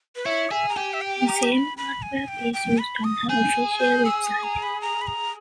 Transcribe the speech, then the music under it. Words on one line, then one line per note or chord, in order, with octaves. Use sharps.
The same artwork is used on her official website.
B4
E4 C#5
G#4 E5
A#5
G4 G#5
E5
G5
A#5
B5
B5
G#5
G5
G5
B5
D#6
G#4 G6
G6
E6
D#6
A#5
B5
A#5
B5
A#5